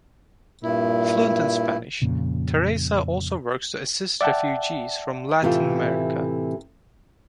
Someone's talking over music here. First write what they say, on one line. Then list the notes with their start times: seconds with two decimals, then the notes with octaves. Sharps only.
Fluent in Spanish, Teresa also works to assist refugees from Latin America.
0.64 G2 A#2 E4
2.02 F2 A#2 C#3
4.21 D5 E5 F#5 G5 A5
5.42 A2 C3 E3 A3 F4